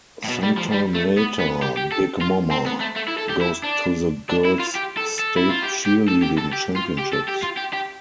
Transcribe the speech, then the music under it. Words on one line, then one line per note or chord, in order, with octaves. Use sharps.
Sometime later, Big Momma goes to the girls' state cheerleading championships.
A2
B2
G3
F3
G3
A3
B3
B3
G4
G4
A4
F4
C4
B3
A3
A3
E4
A4
G4
E4
D4
D4
E4
F4
G4
A4
A4
E4
F4
G4
G4
A4
G4
A4
G4
F4
G4
A4
G4
F4
G4
G4